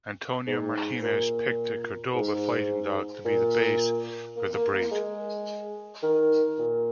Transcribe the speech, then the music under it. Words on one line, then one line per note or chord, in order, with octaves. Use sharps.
Antonio Martinez picked the Cordoba Fighting Dog to be the base for the breed.
G#2
A#2
G#2
A#2
A#3
A#3
A#3
G#3
D#3
A#2